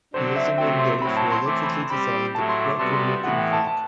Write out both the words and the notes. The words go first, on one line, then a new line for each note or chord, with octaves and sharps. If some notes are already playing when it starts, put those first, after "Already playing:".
He is among those who allegedly designed the Puerto Rican flag.
D3 F#3 C4 C5
E5
C3 F#3 A3 C4 G5
C6
A2 F#3 C4 B5
A5
C6
E3 A3 C4 D6
B5
C6
G3 C4 G4 B5
A2 F#3 A3 A5
C6
D6
C3 G3 B3 F#4 A4 C6
C6
A2 E3 B3 F#5
G5
A5
A5